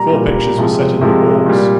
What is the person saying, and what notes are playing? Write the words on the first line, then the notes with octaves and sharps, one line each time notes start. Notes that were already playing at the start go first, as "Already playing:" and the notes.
Four pictures were set in the walls.
Already playing: A#2 G3 A#5
A#2 G3
C3 F3 G#3
C3 F3 G#3
A#2 G3